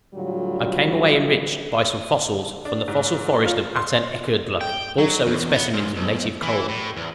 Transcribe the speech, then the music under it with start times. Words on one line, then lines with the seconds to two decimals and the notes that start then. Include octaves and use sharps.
I came away enriched by some fossils from the fossil forest of Atanekerdluk, also with specimens of native coal.
0.15 A2 D3 F#3 G3 F4
2.65 D4
2.88 G#2
3.46 F4
3.76 C6
4.61 G5
4.98 F#3
5.27 E2
5.53 B3
5.73 G#2
5.96 B1
6.42 E3
6.68 A2
6.96 E2